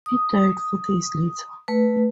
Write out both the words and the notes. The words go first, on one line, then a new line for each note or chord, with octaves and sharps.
He died four days later.
D#6
A3 B4